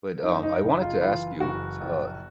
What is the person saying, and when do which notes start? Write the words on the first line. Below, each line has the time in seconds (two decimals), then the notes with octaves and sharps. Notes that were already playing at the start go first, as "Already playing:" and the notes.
But, um, I wanted to ask you, s uh,
0.23 F#2 D#4
0.43 D#4
0.62 F#1 D#4
0.82 F4
1.01 E3 F4
1.40 F#1 F#4
1.80 A#1